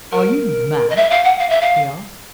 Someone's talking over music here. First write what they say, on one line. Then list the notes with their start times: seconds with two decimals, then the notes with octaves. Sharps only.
"Are you mad?" he asked.
0.12 A#4
0.90 D#5
0.96 E5
1.10 F5
1.24 F#5
1.39 F5
1.50 E5
1.61 F5